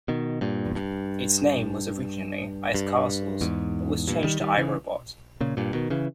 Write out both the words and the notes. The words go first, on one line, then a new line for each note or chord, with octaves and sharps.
Its name was originally "Ice Castles", but was changed to "I, Robot".
B2 D#3
G2 A#2
E2
G2
G2
E2 G#2
G2 A#2
D#3 G3
D#3 G3
C#3 E3
A#2 C#3
G2 A#2
B2 D#3
C#3 E3